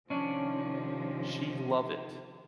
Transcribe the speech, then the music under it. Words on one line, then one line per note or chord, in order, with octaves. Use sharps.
She love it.
C3 D#3 F3 C#4 D4